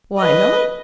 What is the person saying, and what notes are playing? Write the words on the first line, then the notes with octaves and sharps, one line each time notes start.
"Why not?"
B4 D#5